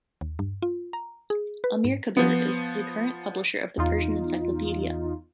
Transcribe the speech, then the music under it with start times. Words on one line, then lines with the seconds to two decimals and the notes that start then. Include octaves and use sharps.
Amirkabir is the current publisher of The Persian Encyclopedia.
0.21 D#2
0.39 G2
0.62 F4
0.93 A#5
1.30 G#4
1.64 B4
1.84 G#2
2.17 F3 B3
3.78 E2 D#4 F4